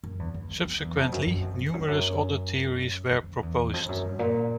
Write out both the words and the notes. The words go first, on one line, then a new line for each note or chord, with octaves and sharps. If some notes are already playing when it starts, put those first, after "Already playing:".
Subsequently, numerous other theories were proposed.
F#2
E2
E2
F2
F2
E2
F2
F#2
F#2
F2
F2
F#2
F2
F#2
F2
E2
F2
F2
F#2
G2
A#2